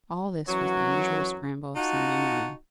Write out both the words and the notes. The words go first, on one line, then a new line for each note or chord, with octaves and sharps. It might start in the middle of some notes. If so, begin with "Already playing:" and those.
All this was the usual scramble of Sunday morning.
F#2 E3 F#3
D#4 F4 F#4 F#5 A5